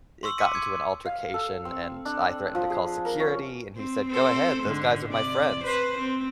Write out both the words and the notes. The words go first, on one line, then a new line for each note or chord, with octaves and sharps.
it got into an altercation, and I threatened to call security, and he said, "Go ahead, those guys are my friends."
C6 C#6 E6 F#7
C6 D6 B6 C#7 D#7
G#6 C#7
F5
A4
C4
D4
F3
G#4
A#4
C#4
C4
C4 A4 C5
G#2 D3
C3 D5
B4 C5
C4